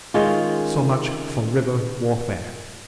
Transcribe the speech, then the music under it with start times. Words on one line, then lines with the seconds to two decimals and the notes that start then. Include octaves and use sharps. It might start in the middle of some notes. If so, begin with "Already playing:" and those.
So much for river warfare.
0.14 D#3 G#3 C#4 F4